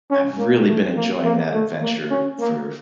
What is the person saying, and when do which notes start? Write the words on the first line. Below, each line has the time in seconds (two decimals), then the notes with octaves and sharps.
I've really been enjoying that adventure for
0.11 C#4
0.39 A#3
0.68 A3
0.96 A#3
1.25 A#3
1.53 A3
1.82 A#3
2.11 C#4
2.40 A#3